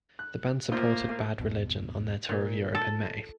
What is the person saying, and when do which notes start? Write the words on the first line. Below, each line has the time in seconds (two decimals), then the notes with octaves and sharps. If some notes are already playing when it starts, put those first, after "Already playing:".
The band supported Bad Religion on their tour of Europe in May.
0.19 F#6
0.72 A2 A#3 F4 C5
1.39 G#1 E2 G2 B2
2.29 A#2
2.75 A4